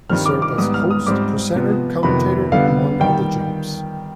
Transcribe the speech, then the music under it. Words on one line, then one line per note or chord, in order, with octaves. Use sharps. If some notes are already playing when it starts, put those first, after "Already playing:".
He served as host, presenter, commentator, among other jobs.
G2 D#3 G3 C4 F6
D6
D6
G#2 G3 B3 D#6
F6
D#6
G#2 G3 C4 D6
C3 F3 B3
F2 C3 D#3 B3 B5
D3 G3 B3 F5
D#3 G3 G5